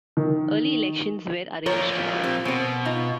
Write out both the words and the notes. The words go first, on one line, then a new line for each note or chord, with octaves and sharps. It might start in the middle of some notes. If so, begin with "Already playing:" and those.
Early elections were arranged.
D#3
F3 A#3 A#4 C#5
C4 G4 C5
B2 C4 C5
B3 D#4 F4